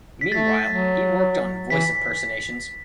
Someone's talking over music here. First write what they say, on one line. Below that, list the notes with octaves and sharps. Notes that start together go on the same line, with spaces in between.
Meanwhile, he worked on voice impersonations.
B6
A3 A6
F#3
E3 B6